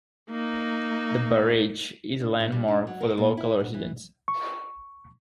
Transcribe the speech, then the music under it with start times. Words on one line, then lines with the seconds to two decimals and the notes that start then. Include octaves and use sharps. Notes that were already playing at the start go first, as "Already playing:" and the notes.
The barrage is a landmark for the local residents.
0.30 A#3 D#4
2.20 D4
2.40 A2
2.52 G3
2.68 D4
2.87 F#3
3.01 A#4
3.18 A#2
3.37 E4
3.60 D3
3.74 E3
4.28 C#6